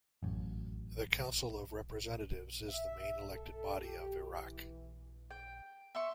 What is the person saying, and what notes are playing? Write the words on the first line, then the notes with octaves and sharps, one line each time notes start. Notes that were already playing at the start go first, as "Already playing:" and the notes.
The Council of Representatives is the main elected body of Iraq.
A1 F#2
E5
A4
G4
E3
G5
E5 C6 C#6